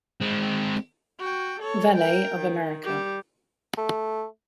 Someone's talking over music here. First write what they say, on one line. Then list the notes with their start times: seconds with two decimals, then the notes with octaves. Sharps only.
Valet of America.
0.22 G#3 C4
1.19 F#4 G5
1.61 A4 C#5
1.96 A#4 G5
2.39 D#3
2.83 G3 G4
3.78 A3